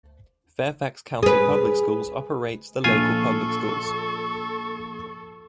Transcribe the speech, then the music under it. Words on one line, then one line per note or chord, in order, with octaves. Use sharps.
Fairfax County Public Schools operates the local public schools.
G#4 B4
A#1 F3 F4 A4 G#5 C#6